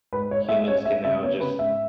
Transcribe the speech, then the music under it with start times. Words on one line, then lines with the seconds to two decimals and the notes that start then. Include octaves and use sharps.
humans can now, just
0.13 G#2 B4
0.30 G#2 C#5
0.49 G#3 E5
0.67 C#4 C#5
0.85 G#3 E5
1.04 C#3 E5
1.23 B3 C#5
1.41 C#3 B4
1.59 G#2 E5